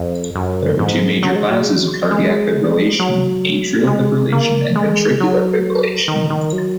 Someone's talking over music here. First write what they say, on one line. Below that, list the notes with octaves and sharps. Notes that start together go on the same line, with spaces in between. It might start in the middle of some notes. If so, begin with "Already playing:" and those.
There are two major classes of cardiac fibrillation: atrial fibrillation and ventricular fibrillation.
Already playing: F2
F#2
G#2
F#3
G#3
F#3
G#3
F#3
G#3
F#3
G#3
A#3
G#3
F#3
D#3
D#3
F#3